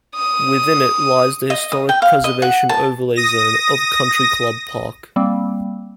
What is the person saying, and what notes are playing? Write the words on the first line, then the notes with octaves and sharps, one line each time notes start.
Within it lies the Historic Preservation Overlay Zone of Country Club Park.
D#6
D#5
D#6
G5
F5
D#5
F#5
A5
D#6 A#6
G3 A#3 C4